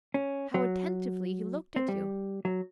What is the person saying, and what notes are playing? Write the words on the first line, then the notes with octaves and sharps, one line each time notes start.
"How attentively he looked at you."
C#4
F#3
C4
G3
F#3